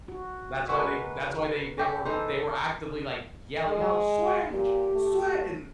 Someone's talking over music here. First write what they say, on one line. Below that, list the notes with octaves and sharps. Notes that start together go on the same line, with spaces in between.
That's why they that's why they they were they were actively like yelling out, "Switch, swi" and
F#4
C#3 G#3 F#4 A#4 B4 E5
C#4 G4 E5
E3 D#4 A4 B4 C5
G#3
A#2 G4
A3